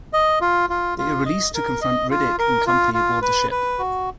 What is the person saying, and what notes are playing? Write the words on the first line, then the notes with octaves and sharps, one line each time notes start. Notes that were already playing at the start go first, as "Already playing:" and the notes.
They are released to confront Riddick and company aboard the ship.
D#5
F4
F4
F4
D#5
A#4
D#5
F4
A#4
F4
F4
B4
B4
F#4